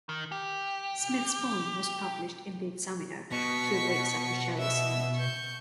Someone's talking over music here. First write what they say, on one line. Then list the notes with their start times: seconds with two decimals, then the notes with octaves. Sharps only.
Smith's poem was published in "The Examiner" a few weeks after Shelley's sonnet.
0.09 D#3
0.32 G4
3.32 B2 C#6 B6
4.58 E5 E6
5.16 C#6 G6